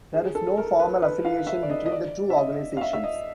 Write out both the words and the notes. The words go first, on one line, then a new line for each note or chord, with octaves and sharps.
There is no formal affiliation between the two organizations.
G#4
A4
A#4
B4
B4
F5
E5
D5
D#5
D#5
D5
E5
D#5
F5
E5
E5
D#5